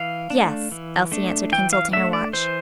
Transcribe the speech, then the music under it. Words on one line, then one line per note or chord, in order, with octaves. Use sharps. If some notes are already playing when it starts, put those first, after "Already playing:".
"Yes," Elsie answered, consulting her watch.
Already playing: E3 F5
A3 D4
E3
A3 D4
E3 G5
F5
A3 D4 E5
D5
E3 C5